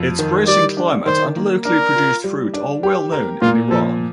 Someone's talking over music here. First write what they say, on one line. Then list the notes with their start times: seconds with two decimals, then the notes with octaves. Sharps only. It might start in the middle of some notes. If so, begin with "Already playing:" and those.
Its bracing climate and locally produced fruit are well known in Iran.
Already playing: F2
0.19 D#3
0.48 G3 D5
0.77 D4
1.06 D#3 C5
1.36 A#3
1.65 D4 A#4
1.95 F4
2.24 G3
2.54 D4
2.83 G4
3.12 A#4
3.42 A#2 F4
3.71 F3 A4